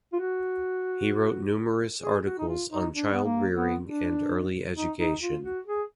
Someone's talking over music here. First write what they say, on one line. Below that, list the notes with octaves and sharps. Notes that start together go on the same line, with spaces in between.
He wrote numerous articles on child rearing and early education.
F4
F#4
G#4
F#4
D#4
F4
D#4
D4
B3
A#3
B3
D4
D#4
D#4
F4
F#4
G#4